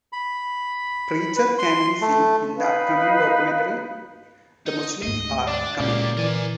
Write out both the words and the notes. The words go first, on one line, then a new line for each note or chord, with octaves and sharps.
Preacher can be seen in the upcoming documentary, The Muslims Are Coming!
B5
B4
C6
A3
D#4 B4 F5
D#4
D2 G#2 D#5
D4 D5
C#2 A#2 D3 A#3 G4
E3 A#4 G#5